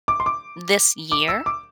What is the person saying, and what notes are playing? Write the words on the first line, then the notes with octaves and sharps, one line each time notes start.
this year,
D6
C6
D6
D6
E6
D6